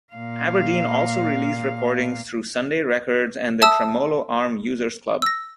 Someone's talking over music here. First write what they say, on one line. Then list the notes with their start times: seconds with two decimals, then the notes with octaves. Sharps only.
Aberdeen also released recordings through Sunday Records and the Tremolo Arm Users Club.
0.13 A#2 F5
3.62 E5 A5 D#6 E6
5.22 E6 A#6